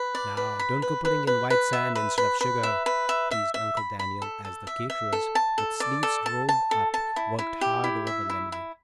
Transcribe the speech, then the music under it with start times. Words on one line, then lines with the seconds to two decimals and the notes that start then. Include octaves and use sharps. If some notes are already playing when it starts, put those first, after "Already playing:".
"Now, don't go putting in white sand instead of sugar," teased Uncle Daniel, as the "caterers," with sleeves rolled up, worked hard over the lemonade.
Already playing: B4
0.15 D5
0.37 B4
0.59 B5
0.82 B4
1.05 B4
1.27 B4
1.50 B4
1.73 E5
1.95 B4
2.18 B4
2.41 B4
2.63 E5
2.86 B4
3.09 E5
3.31 E5
3.54 E5
3.77 B5
3.99 B5
4.22 A4
4.45 A4
4.67 E5
4.90 E5
5.13 A4
5.35 A5
5.58 A4
5.80 D5
6.03 A4
6.26 A5
6.49 A5
6.71 A4
6.94 A5
7.16 E4
7.39 E4
7.61 G4
7.84 E4
8.07 E5
8.30 E4
8.52 E4